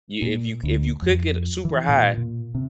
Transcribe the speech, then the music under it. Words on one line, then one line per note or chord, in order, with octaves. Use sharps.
You if you c if you cook it super high,
A#2
D2
F2
E3
A#2
A#2
C3